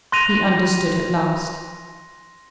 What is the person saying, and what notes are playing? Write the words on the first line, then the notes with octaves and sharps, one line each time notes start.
He understood at last.
C6 F#6 A#6 D#7 F7